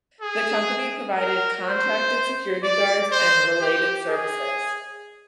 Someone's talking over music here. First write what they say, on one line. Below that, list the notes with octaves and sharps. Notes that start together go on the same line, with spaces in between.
The company provided contracted security guards and related services.
G#4
A#4
C5
D5
C5
G4
G#4